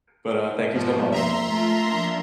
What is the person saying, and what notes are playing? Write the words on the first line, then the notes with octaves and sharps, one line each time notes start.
But, uh, thank you so much
G#2 B2 F3 A#3
F2 A#3 E5 A#5 C6
A3 F4
F3 A#3 D4